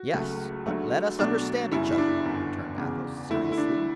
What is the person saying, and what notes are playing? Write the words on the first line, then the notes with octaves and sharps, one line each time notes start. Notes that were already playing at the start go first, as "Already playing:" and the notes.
"Yes, but let us understand each other," returned Athos, seriously.
Already playing: F#4
C#2 C#3 F#3 A3
D2 D3 F#3 A3
B1 B2 F#3 A3 D4
G1 F#2 C#3 G3 E4
E4
D4
G1 F#2 D3
E1 E2 C#3
D2 D3 A3 E4
E4
D4